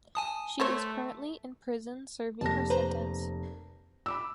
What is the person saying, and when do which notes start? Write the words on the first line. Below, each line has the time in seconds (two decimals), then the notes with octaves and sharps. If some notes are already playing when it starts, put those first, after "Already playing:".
She is currently in prison serving her sentence.
0.15 G#5 A5 D#6
0.60 A3 A4 C5 C#5
2.41 F1 A#3 A5 A#6
2.70 B4 C5 A#5
4.06 B5 D6 E6